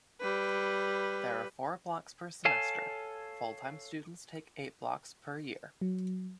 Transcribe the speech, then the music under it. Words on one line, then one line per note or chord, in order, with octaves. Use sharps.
There are four blocks per semester; full-time students take eight blocks per year.
G3 B4
A4 C#5 F5 G#5 A5
F#3